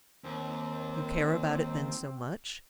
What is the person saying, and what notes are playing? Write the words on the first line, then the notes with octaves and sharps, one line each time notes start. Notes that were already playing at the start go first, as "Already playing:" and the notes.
"You care about it, then, so much?"
D#2 C4